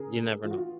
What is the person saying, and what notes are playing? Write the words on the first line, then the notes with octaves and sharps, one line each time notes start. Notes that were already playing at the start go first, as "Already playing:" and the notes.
You never know.
Already playing: C#3 G#4 A#4
A3
E3 F4
F#4
F4